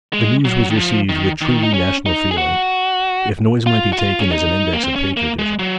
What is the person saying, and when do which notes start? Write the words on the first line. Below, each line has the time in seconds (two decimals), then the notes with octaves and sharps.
The news was received with truly national feeling, if noise might be taken as an index of patriotism.
0.13 G#3
0.45 F#3
0.70 D#3
0.77 F3
1.09 D#3
1.41 D#3
1.63 D#4
1.74 C#4
2.06 D#4
2.31 G#4
2.37 F#4
3.67 F4
3.93 F#4
3.99 F4
4.20 C#4
4.30 D#4
4.73 A#3
4.84 C4
4.96 C#4
5.17 A#3
5.39 G#3
5.59 F#3